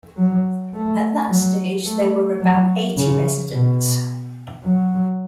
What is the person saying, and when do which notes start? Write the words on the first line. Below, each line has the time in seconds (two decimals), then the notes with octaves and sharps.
At that stage there were about eighty residents.
0.17 F#3
0.74 A3
1.29 F#3
1.85 A3
2.41 F#3
2.96 C#3
3.53 B2
4.64 F#3